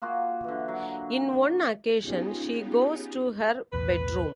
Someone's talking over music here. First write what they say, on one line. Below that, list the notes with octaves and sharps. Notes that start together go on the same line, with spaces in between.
In one occasion, she goes to her bedroom.
A#3 F4 F#4 G#4
D3 E3
F#3
B3 C#4 D#4 F4 G4 G#4
B1 E2 A2 B4